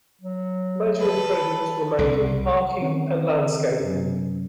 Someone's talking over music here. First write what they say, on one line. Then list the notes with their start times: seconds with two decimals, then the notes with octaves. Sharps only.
Major improvements were made in parking and landscaping.
0.21 F#3
0.99 A4 B4
1.99 C2
2.81 D#3 C4 C#4
3.06 E5
3.80 F#2 C3 F#3 C#4